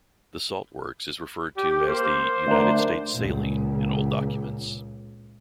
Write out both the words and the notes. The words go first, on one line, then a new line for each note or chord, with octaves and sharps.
The salt works is referred to as the "United States Saline" in old documents.
G4
A#3 C5
D2 D4 A#4
C#2 A#2